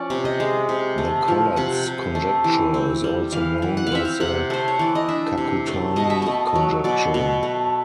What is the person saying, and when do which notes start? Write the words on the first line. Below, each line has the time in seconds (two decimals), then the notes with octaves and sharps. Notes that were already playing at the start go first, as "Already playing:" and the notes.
The Collatz conjecture is also known as the Kakutani conjecture.
Already playing: F3 C#4 D5
0.10 C3
0.25 D#5
0.40 G#3
0.69 C3
0.98 A3
1.28 F3
1.56 C3 F#5
1.86 C3
2.15 A3
2.44 E3
2.74 C4
3.04 G3
3.32 E3 F5
3.62 E3
3.77 F#5
3.87 F5
3.92 C4 E5
4.05 F5
4.20 C3 F#5
4.50 A3 C5
4.68 C#5
4.79 E3 D5
4.95 D#5
5.09 D4 E5
5.38 C3
5.67 A3
5.96 B2 D#5
6.10 E5
6.22 A3 D#5
6.55 F#3
6.84 B2 D5
7.14 B2
7.43 A3